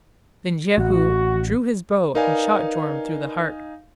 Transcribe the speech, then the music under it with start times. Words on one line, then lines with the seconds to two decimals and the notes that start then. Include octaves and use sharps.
Then Jehu drew his bow and shot Joram through the heart.
0.78 A1 F#4
2.15 D#4 A#4 B4 D5 F5 G#5